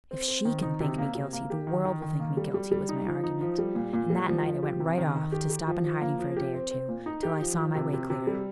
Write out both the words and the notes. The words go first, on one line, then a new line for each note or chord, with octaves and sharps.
'If she can think me guilty, the world will think me guilty,' was my argument; and that night I went right off, to stop in hiding for a day or two, till I saw my way clear.
C4
C4
D#3
D#4
C3
A#3
C3
A#3
G4
D#3
D#3
D#3
A#3
G3
G3
G3
D#4
F3
D#4
F3
G3
A#2
A#2
G3
F3
F3
G4
C3
D#3
D#3
G4
G4
F3
F3
A#3
F3
G4
C4
C4
A#2
D#4
G4
F3
F3
C3
C3
C3
G3